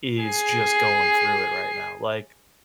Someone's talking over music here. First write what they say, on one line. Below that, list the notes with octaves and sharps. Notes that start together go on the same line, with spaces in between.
is just going through it right now, like
G#4 C7